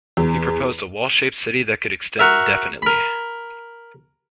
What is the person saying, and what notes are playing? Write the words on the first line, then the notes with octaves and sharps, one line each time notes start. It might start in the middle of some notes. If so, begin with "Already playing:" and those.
He proposed a wall-shaped city that could extend indefinitely.
E2
F#4 A#4 E5
A#4 B5